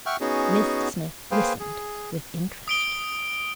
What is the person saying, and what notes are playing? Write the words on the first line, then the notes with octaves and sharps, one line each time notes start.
Mr Smith listened with interest.
E5 F#5 G5 C#6 F6
B3 C#4 D#4 F#4 G#4
A#3 G#4 B4 C5 F5 G5
G#4
D#6 D7 G7